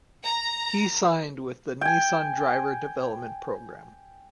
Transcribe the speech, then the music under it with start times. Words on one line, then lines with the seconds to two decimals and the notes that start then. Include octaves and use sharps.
He signed with the Nissan Driver Development Program.
0.25 A#5
1.81 G5 G#5